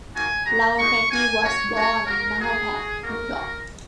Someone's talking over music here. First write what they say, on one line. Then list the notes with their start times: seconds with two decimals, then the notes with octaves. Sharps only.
Laoretti was born in Mahopac, New York.
0.14 A#3 D#4 F#4 G#5
0.46 G#3 F#4 A#5
0.78 G#3 D#4 F#4 C#6
1.11 A#3 F#4 G#5
1.42 A#3 C#4 F#4 C#5
1.75 G#3 C#4 F#4 C#5
2.06 A#3 F#4 A#4
2.39 A#3 F#4 G#4
2.71 G#3 F#4
3.02 A#3 D#4 F#4 A#4
3.35 A#3 F#4